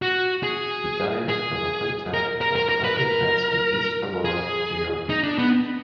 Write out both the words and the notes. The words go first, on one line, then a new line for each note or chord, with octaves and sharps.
He died of a heart attack while collecting plants in East Aurora, New York.
F#4
G#4
G#4
A#4
A#4
A#4
A#4
B4
A#4
G#4
D#4
D4
B3